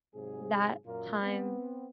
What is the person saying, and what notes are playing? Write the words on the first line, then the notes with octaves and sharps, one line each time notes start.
that time
G#2 C3 F#3 G#4
F#2 A#2 A#3 F4 A#4
B3 C4